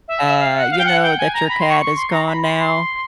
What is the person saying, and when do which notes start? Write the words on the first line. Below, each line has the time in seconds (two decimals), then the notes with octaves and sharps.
Uh, you know, that your cat is gone now.
0.08 E5
0.24 E5
0.39 F5
0.56 F#5
0.71 F5
0.79 G5
0.86 F#5
1.02 G5
1.18 G#5
1.34 A#5
1.49 B5
1.60 C6
1.69 C#6
1.80 C#6
1.96 C6
2.11 A#5
2.26 B5
2.42 C6
2.53 B5
2.58 C6